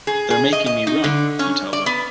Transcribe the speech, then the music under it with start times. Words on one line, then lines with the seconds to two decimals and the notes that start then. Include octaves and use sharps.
"They're making me run," he tells her.
0.07 G#4
0.30 G#4
0.53 D#5
0.66 D#5
0.87 D#4
1.04 D3
1.39 C#4
1.73 D5
1.86 B3